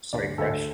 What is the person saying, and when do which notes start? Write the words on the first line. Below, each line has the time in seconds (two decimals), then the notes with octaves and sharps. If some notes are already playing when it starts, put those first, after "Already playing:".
Starting fresh.
0.13 D2 D5
0.38 D2 A4